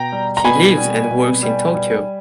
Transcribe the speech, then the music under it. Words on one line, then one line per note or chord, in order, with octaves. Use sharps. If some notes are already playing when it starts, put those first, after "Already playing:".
He lives and works in Tokyo.
Already playing: B2 G5 A#5
G3
A#5
B2 G#5 B5
G3
B2
G3
G3